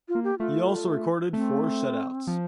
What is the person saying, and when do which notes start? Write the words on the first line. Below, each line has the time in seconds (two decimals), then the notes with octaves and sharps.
He also recorded four shutouts.
0.08 F4
0.15 A#3
0.24 G4
0.39 A3 F4
1.33 A3 C4
2.27 F3